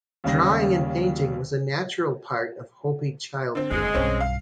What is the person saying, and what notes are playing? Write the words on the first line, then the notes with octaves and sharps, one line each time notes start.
Drawing and painting was a natural part of Hopi childhood.
D#2 C#3 G3 A#6
D3 C4
F#1 D#2 G#3
B1 G2 C4 C#4
F5